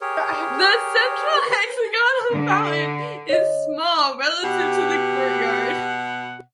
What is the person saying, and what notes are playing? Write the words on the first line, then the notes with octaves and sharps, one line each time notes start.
The central hexagonal fountain is small relative to the courtyard.
G4 G#4 A#4 C#5
D3
C#5 D#5
B2 G4 F#5